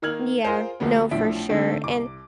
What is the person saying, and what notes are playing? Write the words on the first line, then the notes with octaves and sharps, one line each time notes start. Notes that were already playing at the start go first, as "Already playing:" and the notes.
Yeah. No, for sure. And
D#3 A#3 D#4 F6 G#6 F#7
F4 G#4 A#4 C5
D2 F3 G#3 B3
B1 A2 F3 D4 E5 D7
D3 A3 C4 D4 D#4
C2 D6